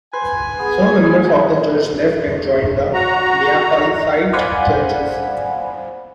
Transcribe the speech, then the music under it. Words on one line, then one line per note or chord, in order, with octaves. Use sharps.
Some members of the church left and joined the Miaphysite Churches.
B4 C5 G#5
B3 G#4
F#5 G5 A#5
F#4 A#5
C5 D5 F5 F#5 G#5 B5